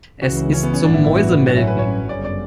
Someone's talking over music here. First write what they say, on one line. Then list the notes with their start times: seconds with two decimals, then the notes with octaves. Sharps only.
Es ist zum Mäusemelken.
0.22 C#2 C#3 E3 F#4
0.53 C#4
0.63 B3
0.74 C#4
0.84 A1 G2 E3 B3 D4
0.94 E4
1.04 E4
1.15 F#4
1.46 A1 G2 F#3 C#4 F#4
1.57 E4
1.67 B4
1.79 C#5
2.09 G1 F#2 C#3 D5
2.25 D5